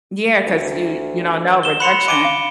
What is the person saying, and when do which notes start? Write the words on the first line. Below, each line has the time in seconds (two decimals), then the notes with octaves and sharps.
Yeah, 'cause you you don't know, rejection.
0.46 D2
1.63 E7 G7
1.80 B5 C6 F#6 C#7 F7
2.08 D6 D7 D#7 G7
2.24 F5